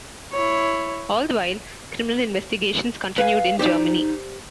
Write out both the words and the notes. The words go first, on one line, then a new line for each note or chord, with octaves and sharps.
All the while, criminal investigations continued in Germany.
E4 C#5
B4 F5 G#5
D#4 G4 C5 D5